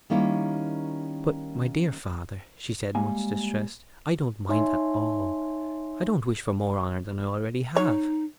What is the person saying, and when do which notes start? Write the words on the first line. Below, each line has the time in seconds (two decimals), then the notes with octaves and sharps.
"But, my dear father," she said, much distressed, "I don't mind at all. I don't wish for more honor than I already have!"
0.10 D#3 G3 A#3 C#4 E4 C#5
2.95 G3 G#3 A#3 G#5
4.49 D#4 C#5 E5 G#5 C6
7.76 D#4 C#5